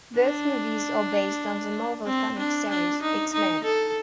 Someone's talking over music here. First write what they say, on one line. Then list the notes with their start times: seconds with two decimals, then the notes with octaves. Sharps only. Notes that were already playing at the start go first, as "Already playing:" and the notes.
Both movies are based on the Marvel Comics series "X-Men".
0.18 D4
2.06 C4
2.38 D4
2.70 D4
3.02 D#4
3.33 D#4
3.64 A4